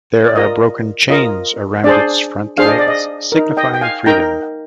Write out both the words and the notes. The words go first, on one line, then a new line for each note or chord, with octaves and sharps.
There are broken chains around its front legs, signifying freedom.
D5
F4 A#4 D#5
F4 A#4 D#5
D4 G#4 C5 D5
D4 G#4 C5 F5
D#5
D5
D#5
D#4 A#4
D#5 G5
G5
F5 G#5
D#4 A#4 G5 A#5